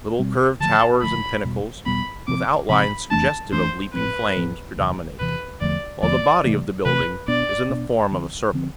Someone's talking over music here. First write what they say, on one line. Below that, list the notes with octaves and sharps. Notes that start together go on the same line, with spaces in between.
Little curved towers and pinnacles, with outlines suggestive of leaping flames, predominate; while the body of the building is in the form of a circle.
B2 G3 C4
D3 F3 A3 A5
D3 F3 A3 B5
E2 B2 G3 B3
E2 B2 G3 B3 B5
C3 F3 C4 D6
C3 F3 C4 B5
F2 E3 A3 D4 A5
F2 E3 A3 D4 C5
A2 F3 C4 B4
A2 F3 C4
E2 C3 E3
E2 C3 E3 B4
E2 D3 F3 A3 D5
E2 D3 F3 A3 D5
C3 E3 A3
C3 E3 A3 B4
B2 B3 D4 D5
B2 B3 D4
D3 F3 C4
D3 F3 C4